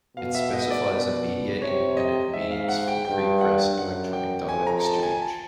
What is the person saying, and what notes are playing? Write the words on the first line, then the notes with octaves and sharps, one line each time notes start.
It specifies a media-independent means for prepress electronic data exchange.
B2 F5
E5
D#5
D5
B2
C3 C#5
D#5
G#2 E5
F5
F#5
G5
G2 G5
F#5
F#2 F#5
G5
F2 G#5
A#5
A5
G#5
A5